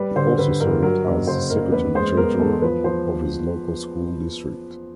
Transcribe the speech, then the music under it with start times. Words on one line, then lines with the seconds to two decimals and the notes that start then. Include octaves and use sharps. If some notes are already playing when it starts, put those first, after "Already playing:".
He also served as Secretary-Treasurer of his local school district.
Already playing: G3 B4
0.16 D3 C5
0.38 D3 B4
0.60 G2 A#4
0.83 F#3 A#4
1.05 F#1
1.27 C#3 C5
1.50 F#1 A#4
1.72 E2 B4
1.95 G#3 C5
2.17 B3 A#4
2.39 E2 A4
2.62 F3 B4
2.84 F3 C5